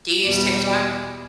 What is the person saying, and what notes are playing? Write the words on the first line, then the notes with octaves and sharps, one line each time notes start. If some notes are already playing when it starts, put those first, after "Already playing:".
Do you use TikTok?
E2 B2 G3 D5
D5